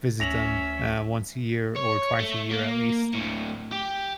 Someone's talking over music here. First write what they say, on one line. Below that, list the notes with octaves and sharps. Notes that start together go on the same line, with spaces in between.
visit them, uh, once a year or twice a year at least.
D2 C#4 E5 A#6 F7 F#7
C#5
A3
A#3
D2 A2
G4